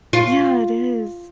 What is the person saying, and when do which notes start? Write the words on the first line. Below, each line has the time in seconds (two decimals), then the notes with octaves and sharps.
Yeah, it is.
0.13 F4